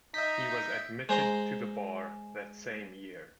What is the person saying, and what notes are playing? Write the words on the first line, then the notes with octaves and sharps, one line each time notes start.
He was admitted to the bar that same year.
D#4 D#5 E5 G6 B6
G#3 C5 A#5 C6